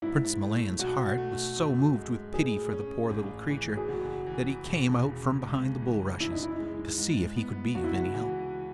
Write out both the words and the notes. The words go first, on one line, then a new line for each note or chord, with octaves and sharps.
Prince Milan's heart was so moved with pity for the poor little creature that he came out from behind the bulrushes, to see if he could be of any help.
G#2 E4
A3
B1 F#4
A3
F#2
G#3
A2 G#4
C#4
A1
E3
G#4
F#1 F#4
E3
E1
C#3
C#2
E3
F#2 E4
D#4
E4
G#3
G#2
B3
C#2 F#4
E4
F#4
E3